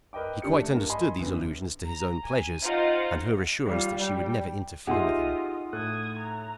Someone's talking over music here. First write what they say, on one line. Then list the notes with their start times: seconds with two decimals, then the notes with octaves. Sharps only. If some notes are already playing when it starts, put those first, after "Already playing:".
He quite understood those allusions to his own pleasures and her assurance that she would never interfere with him.
0.13 A#4 B4 D#5 G5 D6
0.42 D3 D4 G4 C#7
0.58 A3
0.73 G2 A#4
0.90 D#5 G#5 B5 C6
1.19 F#1 D3 B3
1.87 A#5
2.24 G#5
2.61 D#4 F4 C5 F5 F#5
3.65 G3 F4
3.97 G3 G5
4.87 D#4 F4 G4 G#4 D#5 E5 F#5 C6
5.73 A2 A4 D#6 F#6 G#6
6.19 A#5